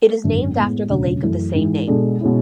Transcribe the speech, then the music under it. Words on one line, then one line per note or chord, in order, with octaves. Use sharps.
It is named after the lake of the same name.
G#1 F#2 D3
A2 G#3 B3
E1 D2 C#3 F#3
F#2 E3 A3 E4
G#2 E3 G#3
B2 G#3 D4 A4
B2 G#3 C#4 E4